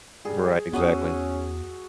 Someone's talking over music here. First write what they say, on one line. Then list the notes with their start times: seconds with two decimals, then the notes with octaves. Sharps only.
Right, exactly.
0.25 G3 G#4
0.73 E2 B3 C#4 F#4 D#6 E6